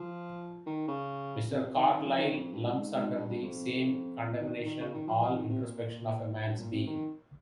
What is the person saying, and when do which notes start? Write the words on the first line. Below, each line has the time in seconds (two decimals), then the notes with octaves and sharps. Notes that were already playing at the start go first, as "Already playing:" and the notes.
Mr. Carlyle lumps under the same condemnation all introspection of a man's being.
Already playing: F3
0.66 D#3
0.88 C#3
1.50 C3
1.64 C3
1.76 D#3
1.91 D#3
2.05 F3
2.18 D#3
2.33 F2
2.53 G2
2.74 G#2
2.94 G#2
3.15 G2
3.29 G2
3.42 F2
4.38 D#3
4.53 D#3
4.66 D#3
4.80 C#3
4.94 D#3
5.07 F3
5.22 F3
5.35 D#3
5.49 C3
5.63 A#2
6.46 G2
6.60 A#2
6.72 C3
6.87 D#3